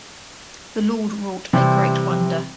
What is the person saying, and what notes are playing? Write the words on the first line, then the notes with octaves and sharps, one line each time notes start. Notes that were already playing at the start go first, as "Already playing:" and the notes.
The Lord wrought a great wonder.
C3 E3 G3 C4